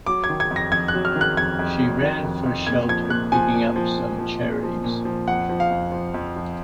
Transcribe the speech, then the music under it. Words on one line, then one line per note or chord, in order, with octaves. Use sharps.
She ran for shelter, picking up some cherries.
F#3 D6
G#6
D#3
G#6
F2
A#6
F2 G#6
F#6
F#3
F6
D#3
F#6
F2 G#6
F2
F#3
D#3
F2
F2
A#2 G#6
F3 G#6
A#2 F#6
F3 G#5
A#2
F3
A#2
F3
A#2
F3
A#2
F3
F2 F#5
F3
F5
F2
F3
F2
F3